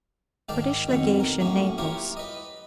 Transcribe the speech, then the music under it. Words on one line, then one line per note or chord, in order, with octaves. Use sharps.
British Legation, Naples.
G#2 D#3 D5 F5 G5 A5
F2 B2 D#3 C#4 F#5
A#4
F#2 A2 A#3 C#4 F#4
E4 F4 G4 A#4 C#5 F5
B4 D#5